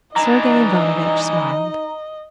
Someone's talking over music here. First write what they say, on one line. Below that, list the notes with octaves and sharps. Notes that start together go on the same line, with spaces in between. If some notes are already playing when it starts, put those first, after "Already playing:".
Sergey Ivanovitch smiled.
E3 D4 D#4 D#5 A#5